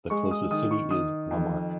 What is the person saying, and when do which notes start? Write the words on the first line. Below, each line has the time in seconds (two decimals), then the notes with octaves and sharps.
The closest city is Lamarque.
0.10 G#3 C#6
0.31 D#6
0.51 D#3 D#6
0.71 C#6
0.90 D#3 D#6
1.31 F2